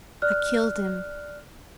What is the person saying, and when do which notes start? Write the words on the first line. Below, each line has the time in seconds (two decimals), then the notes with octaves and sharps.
I killed him.
0.22 D5 F6 F#6